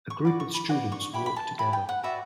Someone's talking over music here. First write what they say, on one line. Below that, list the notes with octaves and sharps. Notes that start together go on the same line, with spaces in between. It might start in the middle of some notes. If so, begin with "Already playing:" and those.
A group of students walk together.
C#6
F#4 B4 D5 D6
C#6
B5
F#4 B4 D5 F#5
C#6
E4 G4 B4 B5
B5
A5
E4 G4 B4 B5
G5
F#5
F#4 B4 D5 E5